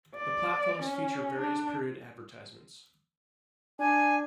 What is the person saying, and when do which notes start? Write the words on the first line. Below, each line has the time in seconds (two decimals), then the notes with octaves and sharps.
The platforms feature various period advertisements.
0.16 D5
0.83 C#4
1.40 D4
3.79 D4 G#5